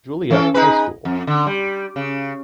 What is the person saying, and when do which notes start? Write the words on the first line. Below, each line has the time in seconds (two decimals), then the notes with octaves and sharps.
Juliet High school.
0.30 E3 C#4 A4
0.54 D#4 G#4 B4
1.05 F2
1.27 D3
1.47 G3
1.96 C#3